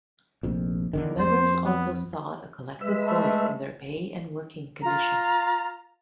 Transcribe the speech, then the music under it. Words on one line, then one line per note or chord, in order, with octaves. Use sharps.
Members also sought a collective voice in their pay and working conditions.
F1 A#1 F2
E2 D3 D#3
F2 C5
B3
G#3 B4 E5
A3
F4 A#5